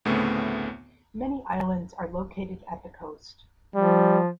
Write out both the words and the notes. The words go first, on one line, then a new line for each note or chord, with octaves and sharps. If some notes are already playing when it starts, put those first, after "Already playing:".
Many islands are located at the coast.
D2 A2 C#3 A3 B3 C4
F3 G3